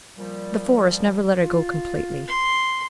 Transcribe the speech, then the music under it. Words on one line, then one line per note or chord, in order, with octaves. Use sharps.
The Forest never let her go completely.
A#2 F3 G3
F4
C6